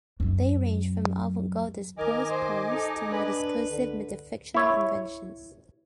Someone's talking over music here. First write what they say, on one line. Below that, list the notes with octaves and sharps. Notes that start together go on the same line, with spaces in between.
They range from avant-gardist prose poems to more discursive metafictional inventions.
F#2 F#3
D#3 A#4 D#5 G#5 D6
C5
D#4 A4
D4 B4
D3
E4 C#5